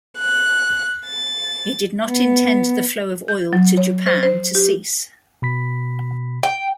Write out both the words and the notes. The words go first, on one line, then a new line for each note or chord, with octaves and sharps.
He did not intend the flow of oil to Japan to cease.
F#6
A6
B3
G6
F#3
C#5
C5
C5
G4
B2 B5 B6
G5